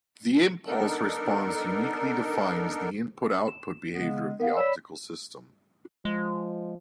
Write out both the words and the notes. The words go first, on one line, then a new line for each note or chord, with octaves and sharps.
The impulse response uniquely defines the input-output behavior of the optical system.
B3 D4 D#4 A4 A#4
E7
C#3 G#3 B3
B3 A#4 F5
C#5 D5 B5 E6
F3 G#3